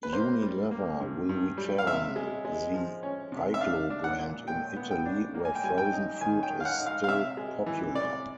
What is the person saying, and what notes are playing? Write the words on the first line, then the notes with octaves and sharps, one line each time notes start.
Unilever will retain the Iglo brand in Italy, where frozen food is still popular.
B4
A#3 C5
G3
A#3
G2
G2
G3
F5
C3 E5
G#3
G#3
F3
C#4
C3
E5
D4 F5
D4
F#5
A#2
A#2 G5
B3
G5
D4
A#3
G#5
G5
G3 G#5
G5
D#4
D#3 G#5
G5
D#3
F5
F#5
D#4
F5
F5
C3 E5
G#3
E3
C3 D5